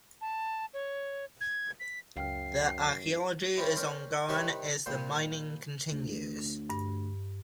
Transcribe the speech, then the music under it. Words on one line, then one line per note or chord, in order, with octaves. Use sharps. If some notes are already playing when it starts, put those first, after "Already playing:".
The archaeology is ongoing as the mining continues.
A5
C#5
G#6
B6
C#2 F#2 F5 G5 F6 C7
E3 G3 C4 C#4
C4 C#4 A#4 D5
C3 D#3 G3 B4 C#5 D5
A#2 G3 C5
D2
G2